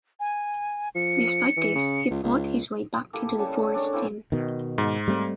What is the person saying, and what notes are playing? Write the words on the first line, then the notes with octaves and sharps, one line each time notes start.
Despite this, he fought his way back into the Forest team.
G#5
F3 C#7
E3
C#3
C#2
C#2
A#3 E4 G4 A4
C#3 G3 A5
A3 G#4
D4 A4 A#4 C#5
E3 A#3 C4 E4
B2 D#3
G#2
G3 A3 C4